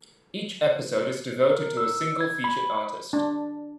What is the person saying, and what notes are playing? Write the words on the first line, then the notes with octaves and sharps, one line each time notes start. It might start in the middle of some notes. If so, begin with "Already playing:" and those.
Each episode is devoted to a single featured artist.
A#4
E6
G#6
B5
D4